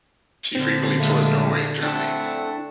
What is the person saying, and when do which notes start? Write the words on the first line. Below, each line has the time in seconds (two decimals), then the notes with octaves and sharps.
She frequently tours Norway and Germany.
0.55 A#2 D3 C4
1.00 G#3 A3 F5
1.83 A3 C4 D4 E4 A4 F#5